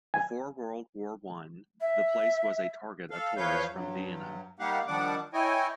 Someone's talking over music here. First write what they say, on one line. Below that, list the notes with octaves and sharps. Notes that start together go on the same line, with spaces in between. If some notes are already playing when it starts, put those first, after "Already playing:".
Before World War One the place was a target of tourists from Vienna.
G#5
E5
A4 F5
E2 F3 B4 C#5 F5 G6
G2 F#3
G3 A#3 D#4 G4 F5 F#5
D#3 F3 G3 D4 F#5 D6
E4 C#5 D#5 G5 G#5